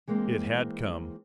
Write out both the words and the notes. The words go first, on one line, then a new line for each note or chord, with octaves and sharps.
It had come!
E3 G#3 A#3 C4